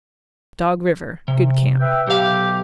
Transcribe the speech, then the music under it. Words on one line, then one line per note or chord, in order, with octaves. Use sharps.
Dog River.--Good camp.
C3
B4 E5 G5
B1 G4 F5